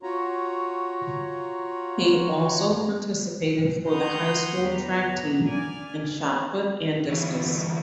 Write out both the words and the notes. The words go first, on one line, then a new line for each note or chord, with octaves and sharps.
He also participated for the high school track team in shot put and discus.
F4 F#4 C#5 A#5
F#5 A#5 C6 C#6 D#6 G6
E2 B3 D4 A#5
D5 G#5 F6
D2 E3